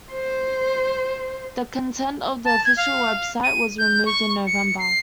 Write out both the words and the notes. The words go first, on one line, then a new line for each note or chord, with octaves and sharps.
The content of the official website was removed in November.
C5
A5
G#6
F5
D#7
G6
C#6
C#7
C7